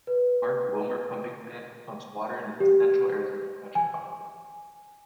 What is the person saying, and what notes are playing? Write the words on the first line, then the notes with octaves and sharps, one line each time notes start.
Mark Wilmer Pumping Plant pumps water into the Central Arizona Project Aqueduct.
B4
G4
G#5